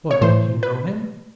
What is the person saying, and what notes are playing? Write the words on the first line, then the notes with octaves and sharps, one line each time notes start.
"What--you know him?"
C#5
A2 E3 C5
B4